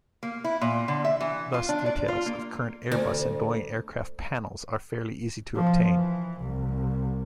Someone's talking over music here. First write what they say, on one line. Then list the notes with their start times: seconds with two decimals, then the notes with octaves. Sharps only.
Thus details of current Airbus and Boeing aircraft panels are fairly easy to obtain.
0.23 A#3
0.44 E4
0.61 A#2
0.88 D3
1.05 E5
1.21 E3
1.54 F4
1.69 D4
1.86 D5
2.08 F4
2.26 A#3
2.92 D2
5.54 F3
5.94 E3
6.40 C2